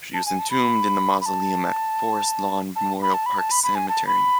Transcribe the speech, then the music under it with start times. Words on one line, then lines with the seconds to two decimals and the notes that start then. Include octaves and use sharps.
She was entombed in a mausoleum at Forest Lawn Memorial Park Cemetery.
0.14 A5
0.26 G#5
0.39 A5
0.51 B5
1.21 B5
1.26 A5
2.76 A5
3.02 B5
3.14 A5
3.26 B5
3.38 A5
3.51 B5
3.64 B5
3.75 G#5
3.89 A5
4.07 B5